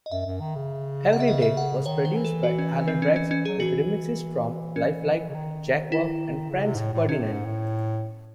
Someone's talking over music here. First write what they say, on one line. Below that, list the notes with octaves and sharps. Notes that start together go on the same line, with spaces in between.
"Everyday" was produced by Alan Braxe with remixes from LifeLike, Jakwob, and Franz Ferdinand.
D#5
F#2 E5
F#2
D#3
C#3
F#5
E5
D#5
E5
F#5
D#3 C#5
C5
E3
A4
F#4
C#4
C4
C#4
C#4
C#4
F#3 G#4
E3 F#4
C#4
C#3
D#3
E4
C#3
C3
G#2
A2
A2
C3 C#4
A2
G#2
A2